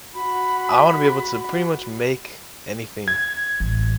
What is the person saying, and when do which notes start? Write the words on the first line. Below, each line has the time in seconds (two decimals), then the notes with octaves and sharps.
I want to be able to pretty much make anything,
0.14 F#4 B5
3.08 G#6
3.60 A1